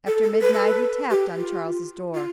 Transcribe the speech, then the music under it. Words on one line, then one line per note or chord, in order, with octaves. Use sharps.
After midnight he tapped on Charles's door.
A4
A4
B4
A4
B4
G4
F4
F4